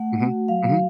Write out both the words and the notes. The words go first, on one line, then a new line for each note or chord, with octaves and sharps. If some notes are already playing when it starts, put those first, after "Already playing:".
Mhm, mhm.
Already playing: A3 F#5
F#4
F#3 F5